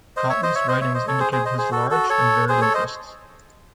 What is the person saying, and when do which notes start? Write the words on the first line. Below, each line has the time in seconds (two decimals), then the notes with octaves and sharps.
Cautley's writings indicated his large and varied interests.
0.17 C5 D#5
0.29 C#5 E5
0.43 C5 D#5
0.55 C#5 E5
0.68 C5 D#5
0.81 C#5 E5
0.94 C5 D#5
1.08 A4 C#5
1.20 G#4 C5
1.32 G#4 C5
1.45 C5 D#5
1.58 G#4 C5
1.71 F#4 A4
1.90 F#4 A4
2.10 A4 C#5
2.49 G#4 C5
2.61 A4 C#5
2.74 C5 D#5